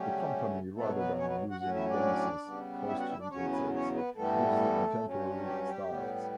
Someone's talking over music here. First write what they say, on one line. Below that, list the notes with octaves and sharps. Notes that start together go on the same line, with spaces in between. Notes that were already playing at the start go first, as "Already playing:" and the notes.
The company, rather than using Renaissance costumes and sets, uses contemporary styles.
Already playing: C#3 F#3 G3 A3 C#4 G4
B2 F#3 A3 B3 A4
B3 B4
C#4 C#5
B3 B4
F#4 F#5
A2 F#3 C#4 F#4 F#5
E4 E5
D4 D5
C#3 G3 B3
E4 E5
F#4 F#5
E4 E5
D4 D5
E2 C#3 F#3 C#4 C#5
B3 B4
C#4 C#5
B3 B4
G2 E3 G3 A3 B3 A4
G2 F#3 C#4
G3 G4
G3 G4
A2 G3 B3